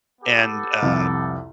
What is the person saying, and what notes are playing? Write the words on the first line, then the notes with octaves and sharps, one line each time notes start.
and uh,
B3 G4 A4
C2 F2